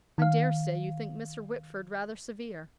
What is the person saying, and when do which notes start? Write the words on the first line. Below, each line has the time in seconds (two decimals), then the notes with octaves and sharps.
I dare say you think Mr. Whitford rather severe.
0.18 D#3 F5